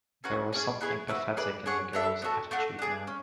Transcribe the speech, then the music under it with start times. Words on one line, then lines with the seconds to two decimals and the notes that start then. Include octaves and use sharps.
There was something pathetic in the girl's attitude now.
0.24 C#4 F#4 B4
0.53 C#4 G#4 D5 G#5
0.81 B3 E4 G#4 C#5
1.08 F#4 B4 E5
1.37 G#4 B4 D5
1.66 D4 G#4 C#5 F#5
1.93 B3 D4 A4 E5
2.22 B3 F#4 A4
2.51 A3 D4 F#4
2.79 D4 G#4 D5
3.07 C#4